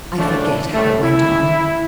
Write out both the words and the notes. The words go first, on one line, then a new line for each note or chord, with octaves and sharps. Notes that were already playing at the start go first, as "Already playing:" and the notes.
I forget how it went on.
C#2 A2 F3 A3 D4
A2 G3 A3
E4